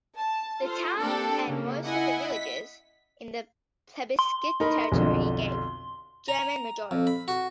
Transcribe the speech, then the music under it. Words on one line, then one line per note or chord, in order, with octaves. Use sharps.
The towns and most of the villages in the plebiscite territory gave German majorities.
A5
F4 A4 C5
A#3 C4 D4 G4 A4
C#3 A#3
E4 D#5 F#5 G#5
B6
C6
D#4 A#4 B5
B1 F2 D3
A#5
F2
B5
F#4